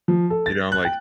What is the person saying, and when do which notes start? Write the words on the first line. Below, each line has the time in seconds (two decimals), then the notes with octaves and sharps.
you know, I'm like,
0.08 F3
0.30 A4
0.46 A6
0.72 F#6
0.85 G5